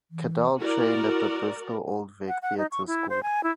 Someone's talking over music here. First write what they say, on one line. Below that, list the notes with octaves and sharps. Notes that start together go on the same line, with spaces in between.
Cadell trained at the Bristol Old Vic Theatre School.
E3
E4 F#4 A#4 D5
F#5
F#5
D#4
C#6
E4
C5
G#5
E4